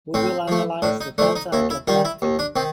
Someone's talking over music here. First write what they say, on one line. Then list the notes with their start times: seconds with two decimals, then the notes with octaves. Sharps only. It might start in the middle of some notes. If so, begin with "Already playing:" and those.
We will analyze the data and get back to you.
0.14 A2 C4
0.48 F3 A3
0.82 A2 D4
1.01 D#4
1.18 F3 A3 D4
1.36 D#4
1.53 D#2 E4
1.70 E4
1.87 D#3 G3 F4
2.05 E4
2.22 D#2
2.39 D4
2.56 D#3 C4